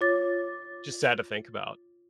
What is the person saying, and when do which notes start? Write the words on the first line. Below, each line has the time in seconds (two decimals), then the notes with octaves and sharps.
just sad to think about.
0.01 F4 C#5 D6 A6